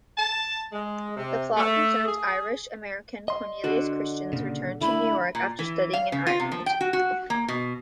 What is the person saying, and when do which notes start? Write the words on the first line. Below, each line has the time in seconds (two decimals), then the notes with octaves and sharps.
The plot concerns Irish-American Cornelius Christian's return to New York after studying in Ireland.
0.18 A5
0.72 G#3
1.16 C3
1.56 A3
2.06 G#4
3.28 D#5 C6
3.64 D3 F#4
4.33 A#2 C#3
4.82 D3 A3 E4 B5
5.35 A#2
5.59 E3
5.93 F5
6.12 C#3
6.27 F4
6.40 C3
6.52 F3
6.66 G5
6.81 F#4
6.93 F#4
7.30 A#3
7.48 B2